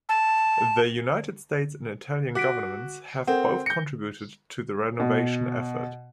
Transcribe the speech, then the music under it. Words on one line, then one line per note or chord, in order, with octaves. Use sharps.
The United States and Italian governments have both contributed to the renovation effort.
A5
F#4 D6 B6 D7
C4 A4 A#4 F#5
G6 A#6 C#7
B2